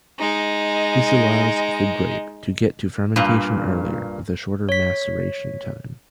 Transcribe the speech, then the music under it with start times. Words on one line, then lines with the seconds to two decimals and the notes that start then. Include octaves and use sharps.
This allows the grape to get to fermentation earlier with a shorter maceration time.
0.19 G#3 D#4
3.16 G2 A#2
4.69 C#5 B6